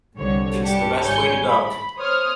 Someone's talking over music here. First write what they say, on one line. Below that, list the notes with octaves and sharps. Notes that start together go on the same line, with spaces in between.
It's the best way to go.
C2 D3 C#5
G2 G3 D4 G4 A5 C#7
G#1 G3 C#5 G#5 G6 C#7
B5
C5 C#5 D#6 F6